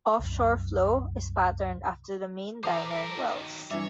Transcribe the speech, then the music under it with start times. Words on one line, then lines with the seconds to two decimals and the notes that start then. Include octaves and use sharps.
"Offshore" Flo is patterned after the Maine Diner in Wells.
0.19 C2 F#2
2.63 E3 A4 C5 A#5 D6
2.92 G3 A#4
3.18 D#3 F#3
3.71 E3 G3 D4 C#5 E5